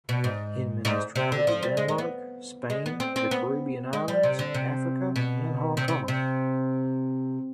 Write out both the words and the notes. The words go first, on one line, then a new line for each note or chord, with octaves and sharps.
Hinman has travelled to Denmark, Spain, the Caribbean Islands, Africa and Hong Kong.
B2
G#2
G#2
C3
D3
F3
G3
G#3
G#3
B3
G#3
B3
C4
C4
B3
G#3
G3
C3
D3
C3
B2
C3
C3
C3